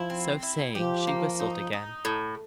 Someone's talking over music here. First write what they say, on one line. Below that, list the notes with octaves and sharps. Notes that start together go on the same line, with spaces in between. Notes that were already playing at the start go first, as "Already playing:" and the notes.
So saying, she whistled again.
Already playing: F3 E4
C4
E4
F3 G4
A#3
D#4
D#4
A2